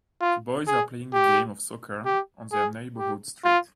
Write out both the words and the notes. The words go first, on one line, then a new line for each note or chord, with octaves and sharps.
The boys are playing a game of soccer on their neighborhood street.
F4
G#4
G4
G4
G#4
G4
F4